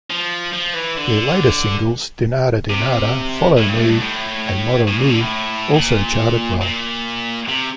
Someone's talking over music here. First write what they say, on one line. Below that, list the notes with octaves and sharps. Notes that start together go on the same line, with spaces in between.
Their later singles "Dinata Dinata", "Follow Me", and "Moro Mou" also charted well.
F3
F3
E3
D3
C3
A2
G2
A2
G2
A2
A2
A#2
D3
A2
A#2
A#2
C3